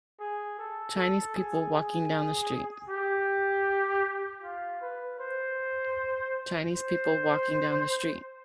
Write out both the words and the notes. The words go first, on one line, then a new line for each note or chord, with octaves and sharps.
Chinese people walking down a street.
G#4
A4
A4
G#4
G4
F4
B4
C5
C5